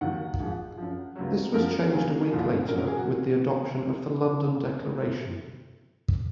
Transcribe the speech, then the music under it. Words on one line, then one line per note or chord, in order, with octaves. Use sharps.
This was changed a week later with the adoption of the London Declaration.
D#2 D#3 F#3 F#5
G#2 F3
F#2 F3
C#2 C3 F#3
F#2 F3 A#4
C#2 C3 F#3 G#4
C2 A#2 F3
F#2 F3 A#4
A#4
G#4
F#4